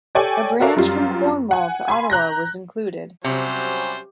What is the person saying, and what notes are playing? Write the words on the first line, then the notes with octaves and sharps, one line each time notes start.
A branch from Cornwall to Ottawa was included.
G4 A4 C#5 D5 G5 G#5
F#4 A4 A#4 D5 E5 F5
F#2 G3 F4
F#5 G#5
G#5 B5 C6
A#5 F#6 G6 A#6
C3 F#3 G3 C#4 C5